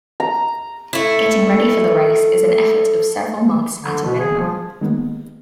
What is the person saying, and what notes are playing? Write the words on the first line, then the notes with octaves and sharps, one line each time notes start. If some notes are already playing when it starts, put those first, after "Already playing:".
Getting ready for the race is an effort of several months at a minimum.
A#5
A3 E4
D3
B2
G#4
F3
D#3 G#3 A#3 B3